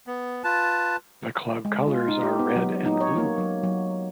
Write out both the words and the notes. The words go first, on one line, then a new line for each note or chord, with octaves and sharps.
The club colours are red and blue.
B3
F4 B4 A5
G#3
F4
D#4
G4
B3
F#3
D#4
C#5
A#3
F#3
F#3